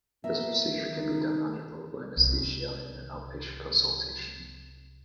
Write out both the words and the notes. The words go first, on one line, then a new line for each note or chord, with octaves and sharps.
This procedure can be done under local anesthesia in an outpatient consultation.
A#2 B3 A#4 E5
D#3 D#4
C2 D#4